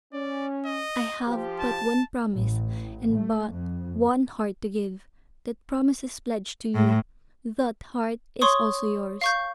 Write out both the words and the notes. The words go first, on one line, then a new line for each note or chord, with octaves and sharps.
I have but one promise and but one heart to give; that promise is pledged to you, that heart is also yours.
C#4 D5
D#5
F3 F4 G4
A5
A1
A3
F2
A2
C#5 C6 C#6 D#6
F5 C#6 G6